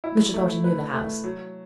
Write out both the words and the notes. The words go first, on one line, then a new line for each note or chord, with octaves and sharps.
Mr. Thornton knew the house.
E4
A3
B4
A3
F#3